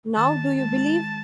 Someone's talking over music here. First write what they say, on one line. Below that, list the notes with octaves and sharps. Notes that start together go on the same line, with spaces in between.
Now do you believe?
D#3 A5
G#3 A5